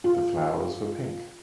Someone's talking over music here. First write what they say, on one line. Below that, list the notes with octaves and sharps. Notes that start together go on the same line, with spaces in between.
The flowers were pink.
F4